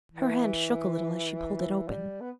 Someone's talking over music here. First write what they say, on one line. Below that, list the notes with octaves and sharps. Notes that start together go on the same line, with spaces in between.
Her hand shook a little as she pulled it open.
E3
G3
B3